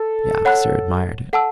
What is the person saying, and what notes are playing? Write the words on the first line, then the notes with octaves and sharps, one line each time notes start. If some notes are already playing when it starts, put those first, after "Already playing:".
The officer admired it.
Already playing: A4
C#5 F#5 B5 F#6
A4 F#5 A5 E6